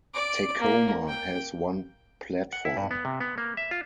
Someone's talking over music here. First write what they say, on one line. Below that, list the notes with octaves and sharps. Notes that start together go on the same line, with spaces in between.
Tecoma has one platform.
D5 D6
A#3
G5
F#5
E4
G2
B3
C3
B3
A#3
E5
F4